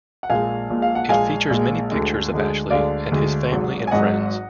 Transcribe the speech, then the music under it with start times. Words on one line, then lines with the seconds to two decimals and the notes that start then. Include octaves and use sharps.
It features many pictures of Ashley and his Family and Friends.
0.23 F#5
0.30 A#1 A#2 G#3 F5 G#5
0.70 A#1 A#2 G#3
0.82 F5
0.95 F#5
1.09 A#1 A#2 G#3 F5 G#5
1.50 A#1 A#2 G#3
1.90 D2 D3 G#3
2.31 D2 D3 G#3
2.70 D2 D3 G#3 D5 F5
3.12 D2 D3 G#3
3.52 G#1 G#2 F#3
3.87 G#5
3.91 G#1 G#2 F#3 D#5 F#5